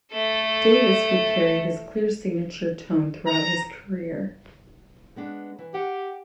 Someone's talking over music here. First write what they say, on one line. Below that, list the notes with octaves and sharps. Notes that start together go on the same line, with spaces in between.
Davis would carry his clear signature tone throughout his career.
A3 A4
A#5
G#3 B3 D4
E3
G4 F#5